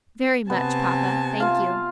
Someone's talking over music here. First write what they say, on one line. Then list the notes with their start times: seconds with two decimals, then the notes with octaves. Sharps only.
"Very much, papa, thank you."
0.50 C3 B3 G#5 A5
1.40 F4 F5